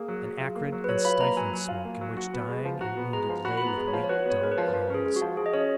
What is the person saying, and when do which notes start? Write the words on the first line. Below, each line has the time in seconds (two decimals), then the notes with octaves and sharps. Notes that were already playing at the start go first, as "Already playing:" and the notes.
An acrid and stifling smoke in which dying and wounded lay with weak, dull groans.
Already playing: A#3 G#4
0.08 F#3
0.24 F#3
0.41 F4
0.56 A#3
0.72 F#3
0.84 B4
0.89 F#3 C#5
1.05 F4 B5
1.21 A#3 A#5
1.37 F#3 G#5
1.53 F#3
1.69 F4
1.85 A#3
2.01 F#3
2.17 F#4
2.34 B3
2.49 G#3
2.65 F3
2.81 F#4 A#5
2.97 B3
3.13 G#3 A#5
3.29 F3
3.45 F#4 B5
3.57 B5
3.62 B3
3.67 A#5
3.77 G#3
3.88 C#5
3.93 F3
4.04 C#5
4.09 F#4 B4
4.26 B3 C#5
4.41 G#3 A#4
4.52 B4
4.58 F3
4.73 F3 A#4
4.90 C#4 G#4
5.06 G#3
5.16 F#4
5.21 F3
5.37 F3 G#4
5.46 D#5
5.53 C#4 C#5